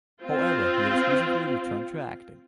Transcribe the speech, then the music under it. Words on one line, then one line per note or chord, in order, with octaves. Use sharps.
However, he has recently returned to acting.
C4 F4